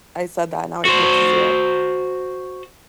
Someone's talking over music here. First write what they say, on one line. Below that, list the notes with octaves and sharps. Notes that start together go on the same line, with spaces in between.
I said that, now he perks his ear up-
F#4 C5